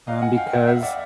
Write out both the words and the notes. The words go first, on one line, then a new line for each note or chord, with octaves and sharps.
Um, because
D#5 F5
F#5 G#5
F5 G5
E5 F#5
E5 F#5
D5 E5